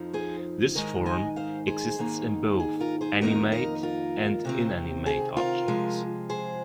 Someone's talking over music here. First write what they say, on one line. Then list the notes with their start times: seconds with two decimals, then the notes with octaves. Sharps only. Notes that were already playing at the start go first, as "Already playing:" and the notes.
This form exists in both animate and inanimate objects.
Already playing: F2 F3 D#4
0.13 G#4 C5
0.75 G#2 D#3 G#3 D#4 A#4 D#5
1.06 D#5 G#5
1.36 C5 F5
1.67 G#4 C5
1.98 G#2 D#3 A#3 D#4
2.60 G#4
2.80 F4 A#4
3.01 G#4 C5
3.21 F2 D#3 A#3 D#4 A#4 D#5
3.52 A#4 D#5
3.83 F4 A#4
4.45 C3 D#3 C4
5.06 G#4
5.37 F4 A#4
5.68 C3 F3 G#3
6.29 G#4 C5